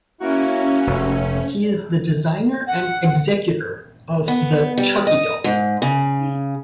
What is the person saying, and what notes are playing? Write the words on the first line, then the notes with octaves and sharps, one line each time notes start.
He is the designer and executor of the Chucky doll.
A#3 C#4 E4 F#4
F1 A3
F#5
B3
G3
D#5
G#2
C#3